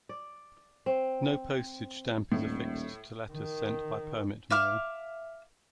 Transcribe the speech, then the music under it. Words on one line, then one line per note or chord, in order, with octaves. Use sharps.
No postage stamp is affixed to letters sent by permit mail.
D5
C4
D#1 A2
D#3
E5 F5 D6 F6